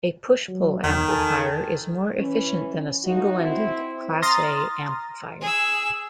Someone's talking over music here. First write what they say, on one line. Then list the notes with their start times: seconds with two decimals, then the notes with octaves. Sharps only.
A push-pull amplifier is more efficient than a single-ended "class-A" amplifier.
0.48 F#3
0.84 E2 D#3
1.08 A4 G#5 A5
2.17 E3 C#4
3.04 A3 D#4 F4 F#4
3.40 C4 E4
4.22 A#5 C6 D#6 F6 A6 A#6
5.41 G#4 E6